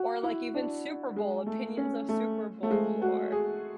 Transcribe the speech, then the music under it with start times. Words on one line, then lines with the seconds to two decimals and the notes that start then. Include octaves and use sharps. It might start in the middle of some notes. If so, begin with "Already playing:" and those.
or, like, even Super Bowl, opinions of Super Bowl, or,
Already playing: F#4
0.23 E4
0.54 D4
1.16 G#3
1.46 A3
1.77 C#4
2.09 A3
2.63 A3
2.70 G#3
3.02 F#4
3.32 G#4